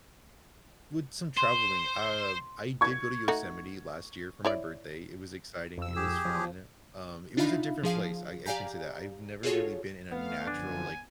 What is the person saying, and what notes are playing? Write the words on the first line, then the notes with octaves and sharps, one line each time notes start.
With some traveling, uh, I did go to Yosemite last year for my birthday. It was exciting, it was fun. Um, it was a different place. I I can say that. I've never really been in a natural, like,
C5 C6
C#6 G#6
A3 D#4 F#4
E4 C#5 D5
F2 E6
G4 G#4
F3
D4 D#4 F4 E5 F5 B5
F3 G#4 F5
G4 D5 F5 G#5 A#5 G6
F4 F#4 G#4 A4 C#5
A3 B3 F5
F#2 D3 F3 D4 G#5